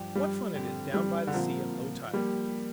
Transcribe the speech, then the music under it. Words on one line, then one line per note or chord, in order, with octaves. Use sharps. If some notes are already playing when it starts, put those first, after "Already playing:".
What fun it is down by the sea at low tide!
Already playing: G2 F3 D4 G4
G3
G2 D3 F3 C4 G4
G3
D3
A#2 F3 G3 C4 A#4
F3 G3 A#3 G4